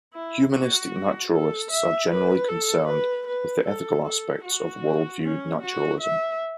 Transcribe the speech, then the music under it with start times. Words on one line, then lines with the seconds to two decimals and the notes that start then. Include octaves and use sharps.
Humanistic naturalists are generally concerned with the ethical aspects of worldview naturalism.
0.14 E4
0.53 F#4
1.32 A4
1.71 E5
2.10 B4
2.48 A4
2.87 B4
3.27 B4
3.66 A4
4.04 A4
4.44 F#4
5.23 C#4
5.62 F#4
6.01 E5